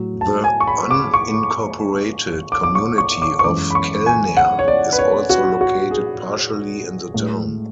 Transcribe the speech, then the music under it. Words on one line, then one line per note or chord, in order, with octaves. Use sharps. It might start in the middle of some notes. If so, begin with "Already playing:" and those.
The unincorporated community of Kellner is also located partially in the town.
Already playing: A2 F#3
A5
G#5
C#6
B5
D6
C#6
D6
D6
C#6
C#6
D6
C#6
F#2 E3 G#3 D6
B5
C#6
G#5
F#5
C#5
D5
B4
C#5
F#4
F#4
G#4
A2 G#3